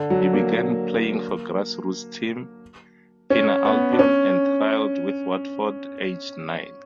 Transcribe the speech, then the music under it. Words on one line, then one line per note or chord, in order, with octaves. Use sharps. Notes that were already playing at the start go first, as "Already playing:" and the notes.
He began playing for grassroots team Pinner Albion and trialled with Watford aged nine.
Already playing: D3
F#3
A#3
C#4
B3
D4
C#4